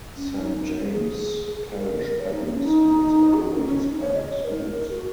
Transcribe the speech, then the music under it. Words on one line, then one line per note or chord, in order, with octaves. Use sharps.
Saint James Parish Public Schools operates public schools.
C#4
C#4
D#4
G#4
A#4
C#5
D#4
A#3
C#4
D#4
G#4
F#4
D#4
C#4
C#4
C#4
D#4
C#5
D#5
C#5
A#4
F#4